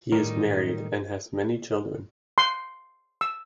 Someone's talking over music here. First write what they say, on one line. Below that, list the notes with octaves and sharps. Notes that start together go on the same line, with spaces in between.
He is married and has many children.
A2 D#3 G3 D#4 A#4
C6
E6